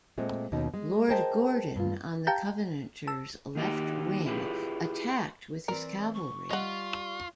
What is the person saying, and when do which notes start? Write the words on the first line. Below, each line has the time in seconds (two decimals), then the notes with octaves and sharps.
Lord Gordon on the Covenanters left wing attacked with his cavalry.
0.18 A#2 G#3 A3 C4
0.52 D#2 B2 C#4 D#4
0.74 G#3
1.09 G#4 A#4 C5 D#5 G5 A5
1.76 G2 F4
2.27 G4 F5 G5 A5 A#5 G6
3.07 A5 E6
3.55 D#3 A#3 D#4 F#4 G4
4.26 E4 F4 G4 G#4 B4
5.68 E3 C4 A#4 D5
6.14 C#6
6.50 G3 F4 D#5 F#5